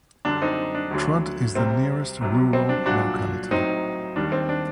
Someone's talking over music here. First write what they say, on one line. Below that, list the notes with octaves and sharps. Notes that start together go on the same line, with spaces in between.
Trud is the nearest rural locality.
F#2 D3 G3 D4
C4 D#4
D4
D2 D3 F#3
C2 C3 G3 C4
C2 C3 F#3
C4
D4
C2 A#2 F#3 D4 F#4
A2 F#3 C4 D#4
D#2 D#3 G3 D4
C4
D4